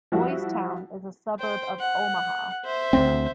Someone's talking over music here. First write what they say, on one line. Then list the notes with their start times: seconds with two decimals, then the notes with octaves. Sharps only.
Boys Town is a suburb of Omaha.
0.12 F3 G3 E4 F#4
1.40 C5 G5
1.80 F#5
2.64 C5 E5
2.93 D2 B3 C4